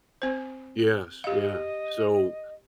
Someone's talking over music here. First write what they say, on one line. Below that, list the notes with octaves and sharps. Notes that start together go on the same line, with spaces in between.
Yes, yeah, so,
C4 C5
G4 D#5 F5